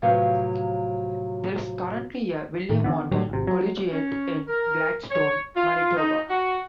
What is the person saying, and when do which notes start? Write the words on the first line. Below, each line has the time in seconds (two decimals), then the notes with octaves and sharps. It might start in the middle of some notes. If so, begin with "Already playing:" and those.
There is currently a William Morton Collegiate in Gladstone, Manitoba.
0.02 A2 C3 F3 F#3 B4 F5
2.69 A2 D#3
2.84 D3 E3 B3
3.11 A2 D3 F#3 G3
3.30 G#1 C3
3.47 F#3
3.92 C#4
4.47 A#4
5.10 C#5
5.56 F4
5.96 D#4
6.29 F#4